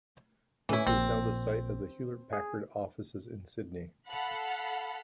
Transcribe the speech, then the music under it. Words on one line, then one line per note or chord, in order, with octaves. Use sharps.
This is now the site of the Hewlett Packard offices in Sydney.
A2 E3 C#4 E4
A#1 A#2 C4
G#4
A4 F5 F#5 B5